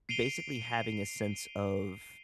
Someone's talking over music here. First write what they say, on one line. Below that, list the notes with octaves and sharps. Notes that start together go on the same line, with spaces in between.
basically, having a sense of
C7 D7 D#7 F7 G7